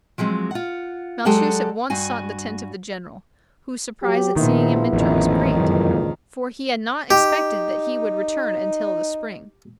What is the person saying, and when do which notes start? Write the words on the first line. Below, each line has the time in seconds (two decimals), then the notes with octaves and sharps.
Malchus at once sought the tent of the general, whose surprise at seeing him enter was great, for he had not expected that he would return until the spring.
0.18 F3 F#3 G#3 C4
0.51 F4 F#5
1.25 F#3 G#3 G4 A4 D5 F#5
1.90 G2 F#4 G#5
4.03 F#3 G4
4.36 A#1 A#2 D#3 F3 B3 E4
4.93 A1 F2 D#3
5.57 C#2 F#2 A#2 E3
7.11 D#4 G4